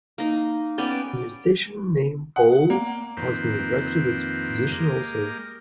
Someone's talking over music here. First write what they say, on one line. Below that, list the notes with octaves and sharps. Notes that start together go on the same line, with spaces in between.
A new station name pole has been erected at the position also.
A#3 D#4
B3 C#4 D5 G5
F#5
A#3
F2 D#3 A#3 C4 B4 C5
G#3 A#3 G4 A#4